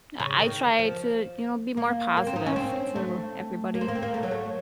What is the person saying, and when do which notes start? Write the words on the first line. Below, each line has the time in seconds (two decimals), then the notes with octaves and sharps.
I I try to, you know, be more positive to everybody.
0.19 C#3
0.39 D#3
0.79 F3
1.77 A#3
2.17 A#3
2.27 C4
2.36 D#4
2.46 C#4
2.56 C4
2.96 A3
3.74 A#3
3.81 C4
3.88 A#3
3.95 C4
4.02 A#3
4.14 A3
4.23 F#3
4.31 A3